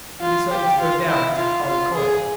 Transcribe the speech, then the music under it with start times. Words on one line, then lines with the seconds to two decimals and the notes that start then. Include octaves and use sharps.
We decided to go down into the hull corridors.
0.20 F4
0.50 G4
0.78 F4
1.08 E4
1.36 F4
1.65 F4
1.94 G#4